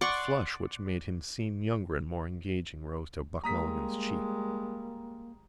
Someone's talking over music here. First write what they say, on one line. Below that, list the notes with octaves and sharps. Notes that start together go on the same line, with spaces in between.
A flush which made him seem younger and more engaging rose to Buck Mulligan's cheek.
D5 F#5 C6 C#6
G3 G#3 A#3 A#5 D#6 B6